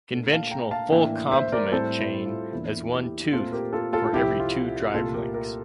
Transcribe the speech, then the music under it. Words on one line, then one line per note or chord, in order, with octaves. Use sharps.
Conventional "full complement" chain has one tooth for every two drive links.
A#2 A3 D4
F5 A5
G5 A#5
F5 A5
A2 E3 A#3 D4 E5 G5
C5 E5
A#4 D5
A2 G3 C4 A4 C5
E4
F4
E2 E3 A#3 D4 E4
E4 G4
A#2 A3 C4 F4 A4
G4 A#4
F4 A4
F4 A4
A4
C2 C3 F3 C4 E4 G4
F4
C2 A#2 A3 F4 A4
G4 A#4
G4 A#4